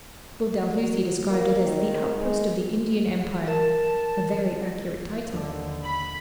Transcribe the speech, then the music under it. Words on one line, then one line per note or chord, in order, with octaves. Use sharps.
Lord Dalhousie described it as "the outpost of the Indian Empire"--a very accurate title.
F#3
A#3
D#3
G#3
A#4 A5
D#2 D3
B5